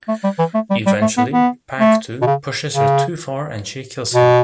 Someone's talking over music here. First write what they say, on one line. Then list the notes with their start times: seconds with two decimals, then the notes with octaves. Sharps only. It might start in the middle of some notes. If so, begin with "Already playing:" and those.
Eventually, Pak-to pushes her too far and she kills him.
0.08 A3
0.24 G3
0.39 E3
0.54 A3
0.70 G3
0.86 G3
1.02 A3
1.18 B3
1.33 B3
1.80 A3
2.22 B2
2.27 C#3
2.74 C#3
4.14 B2